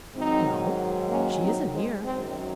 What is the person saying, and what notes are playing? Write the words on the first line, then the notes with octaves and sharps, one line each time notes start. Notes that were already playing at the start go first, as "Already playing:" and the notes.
"No; she isn't here."
G#2 D#3 F#3 C4 D#4
A#3 C#4
C4 D#4
G#3 C4
F#2 D#3 F#3 G#3 C4